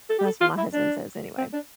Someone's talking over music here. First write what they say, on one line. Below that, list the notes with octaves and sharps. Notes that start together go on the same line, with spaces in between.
that's what my husband says anyway-
A4
G4
A4
F4
E4
D4
C4
D4